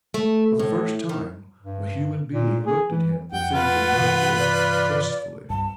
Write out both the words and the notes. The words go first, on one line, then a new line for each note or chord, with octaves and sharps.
For the first time a human being looked at him, the thief and murderer, trustfully.
A3
A2
D#3
G2
A#2
G#4
E3
F2 F#5 G5
F4 B4
G2 C3 E3
D5
C2 G2 G3 A5